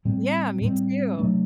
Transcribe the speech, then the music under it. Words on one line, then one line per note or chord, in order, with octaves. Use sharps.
Yeah, me too.
A2 G3 C4
A2 G3 C4
C3 F#3 A3 D4